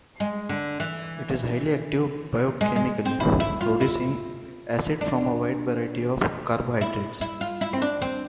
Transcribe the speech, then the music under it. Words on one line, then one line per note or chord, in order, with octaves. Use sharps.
It is highly active biochemically, producing acid from a wide variety of carbohydrates.
G#3
D3
E3
G#3
G#3
C4
E4
E4
F4
E4
D4
E4
E4
F4
E4
C4
D4
C4